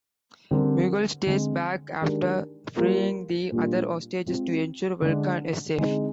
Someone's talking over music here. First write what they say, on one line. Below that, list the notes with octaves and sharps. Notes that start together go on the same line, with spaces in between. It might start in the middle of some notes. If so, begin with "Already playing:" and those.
Miguel stays back after freeing the other hostages to ensure Vulcan is safe.
D3 G3 C4 G4 A#4
D3 G#3 C4
D#3 G#3 D4 G4 A#4
G3 A#3 F4 A#4
A#2 G3 D4 F4
G#3 C4 F4
D3 G#3 D4
D3 G#3 C4 D#4 G#4